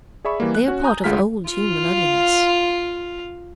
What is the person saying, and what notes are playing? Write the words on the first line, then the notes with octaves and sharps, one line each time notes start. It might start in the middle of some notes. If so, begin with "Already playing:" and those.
They are part of old human ugliness.
G#4 D5 E5 B5 C#6
E3 G3 A#3
F#6
C#4 F#4
G#5 A#5 D#6 F#6 G6
D2 G#3 F4 F6 B6
F4 F5